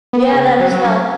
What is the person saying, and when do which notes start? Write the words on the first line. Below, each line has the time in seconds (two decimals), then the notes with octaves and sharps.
Yeah, that is wild.
0.13 B3
0.33 C#3
0.59 F#3
0.72 F#3
0.84 C#4